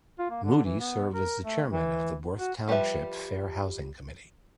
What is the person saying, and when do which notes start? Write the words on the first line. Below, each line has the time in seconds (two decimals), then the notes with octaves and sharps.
Moody served as the chairman of the Worth Township Fair Housing Committee.
0.19 F4
0.30 A#3
0.44 D3
0.65 E3
0.80 B3
1.14 A#4
1.44 A3
1.70 E3
2.39 F#4
2.68 F3 G3 G4 B4 E5